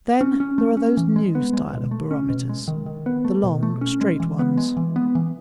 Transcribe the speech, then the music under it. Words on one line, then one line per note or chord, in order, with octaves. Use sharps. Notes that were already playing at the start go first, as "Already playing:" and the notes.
Then there are those new style of barometers, the long straight ones.
C#4
C#4
A3
C#4
E3
G#3
B3
G#3
B2
A3
C#4
B2
G#3
D#3
D#3
B3
A3
B2
A3
C#4
G#3
E3
B3
G#3
E3
B3
E3